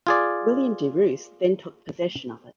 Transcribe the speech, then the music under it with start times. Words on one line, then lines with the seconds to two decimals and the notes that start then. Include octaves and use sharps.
William De Ros then took possession of it.
0.07 F4 G#4 D5